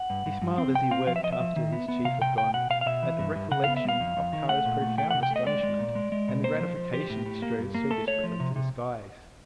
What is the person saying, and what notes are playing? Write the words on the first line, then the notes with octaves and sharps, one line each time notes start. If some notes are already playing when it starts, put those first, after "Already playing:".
He smiled, as he worked after his Chief had gone, at the recollection of Kara's profound astonishment and the gratification he strove so desperately to disguise.
Already playing: F#5
G2
G2
G2
C4
C3 G5
C4 F5
F3 F5
E5
F3 D#5
E5
F3
D#3
B3
B3
C3 F5
C3 G5
C3 G5
B2 F#5
B2 F5
F5
B2 E5
E3
G2
G2
C#3 F#5
B3 F5
E5
G3 F5
F2
F2
D#3
A3 F#5
A#2
A3
A3 G5
C3 F#5
G5
A3
D#5
G#3 D5
G#3
A#2
G#3
G#3
B2
A#3 C5
F3
F3
F3 G4
A2
A2
A#3
G2
A#3
A3 A4
A3 C#5
F3
C3
C3